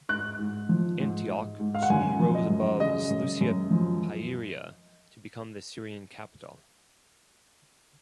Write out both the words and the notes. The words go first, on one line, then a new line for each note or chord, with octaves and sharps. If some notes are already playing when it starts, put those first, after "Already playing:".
Antioch soon rose above Seleucia Pieria to become the Syrian capital.
G#2 F#6
G#2
F3
G#2
G#2
G#2
F5
F#5
F#2 G#5
F3
D#5
F#2
C#3 D#5
F#2
F#2
F3